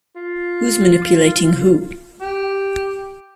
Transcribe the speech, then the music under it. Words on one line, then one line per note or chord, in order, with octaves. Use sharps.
Who's manipulating who?
F4
G4